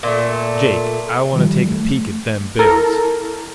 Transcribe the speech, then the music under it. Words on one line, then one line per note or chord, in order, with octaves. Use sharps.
"Jake, I wanta take a peek at them bills."
A#2 A3
D#3 F3 G3
A3
E4 A4 A#4